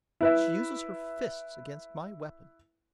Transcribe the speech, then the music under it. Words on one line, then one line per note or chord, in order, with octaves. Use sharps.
She uses her fists against my weapon.
E4 B4 E5